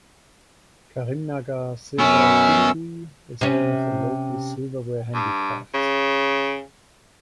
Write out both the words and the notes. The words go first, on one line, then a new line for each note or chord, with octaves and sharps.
Karimnagar Silver Filigree is one of the local silverware handicrafts.
F#2 B3 C#4 F#4 E6
C3 C#4
G2
C#3